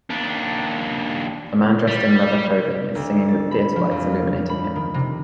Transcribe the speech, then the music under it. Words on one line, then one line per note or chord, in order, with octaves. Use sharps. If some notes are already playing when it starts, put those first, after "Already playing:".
A man dressed in leather clothing is singing with theater lights illuminating him.
D#2 D4
G3
D2
A6
B5
F3
F2
B5
D#3
C3